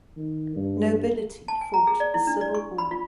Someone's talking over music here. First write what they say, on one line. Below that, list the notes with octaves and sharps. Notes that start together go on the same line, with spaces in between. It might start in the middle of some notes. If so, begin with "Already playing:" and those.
Nobility fought a civil war.
D#3
G2
A5
G#5
A#5
G#4
D5
E4
D4
D5
C#6
B5
F4